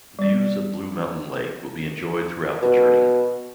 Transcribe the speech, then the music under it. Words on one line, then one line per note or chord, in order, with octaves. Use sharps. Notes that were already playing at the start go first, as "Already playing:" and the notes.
Views of Blue Mountain Lake will be enjoyed throughout the journey.
G3 D5
B2